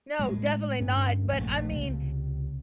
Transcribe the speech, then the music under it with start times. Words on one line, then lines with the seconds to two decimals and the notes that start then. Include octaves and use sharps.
No, definitely not, but, I mean,
0.19 A2 G#3
0.79 D2 G2 C#4
1.31 A#1 A3
1.72 C#2 C3